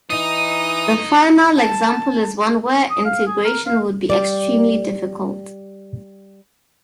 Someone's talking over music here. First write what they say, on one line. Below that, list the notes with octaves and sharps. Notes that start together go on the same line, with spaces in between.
The final example is one where integration would be extremely difficult.
E3 D#4 D#6
A5
D#6
F5
G#4
A#4
F5
G3 D5